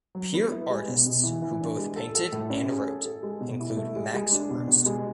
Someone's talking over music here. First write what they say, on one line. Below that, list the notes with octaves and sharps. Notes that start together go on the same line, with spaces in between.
Peer artists who both painted and wrote include Max Ernst.
F#3
B3
E4
G#3
B2
B2
E3
E3
D4
G#3
A4
A4
A2
C#4
G#4
A4
A4
G#3
B2
E4
A3
G#3
G#3
D4
B2
B2
G#3